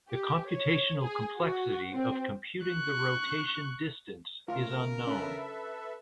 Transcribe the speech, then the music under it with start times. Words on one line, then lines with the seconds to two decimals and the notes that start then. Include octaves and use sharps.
The computational complexity of computing the rotation distance is unknown.
0.11 G4
0.52 C#5
1.03 G#4
1.39 F#4
1.93 C4
2.65 C#6 F#6
4.48 C#3 A3 F4 A#4
5.07 C#4 D4 A4 B4 E5